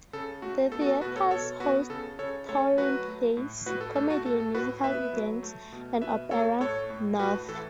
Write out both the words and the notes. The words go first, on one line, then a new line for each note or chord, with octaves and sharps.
The theatres host touring plays, comedy and musical events and Opera North.
C#3 A4
A3 F#4
B3 A4
F#4
A4
B2 F#4 B4
A4 C#5
B2 A4 C#5
B3 F#4 B4
C#3 A4
C#3 A4 C#5
A3 A4 C#5
F#3 F#4 B4
A3
A2
A2 F#4 B4
A4
A3 A4
F#4
A2 A4
A4
A2 F#4 B4
B3 B4 E5
F#3
A3
B2
B2 B4 E5
A3 A4 C#5
A2 A4 C#5
A2
A3 F#4 B4
E3 A4